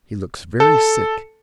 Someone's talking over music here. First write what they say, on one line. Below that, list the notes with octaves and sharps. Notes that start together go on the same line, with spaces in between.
He looks very sick.
A4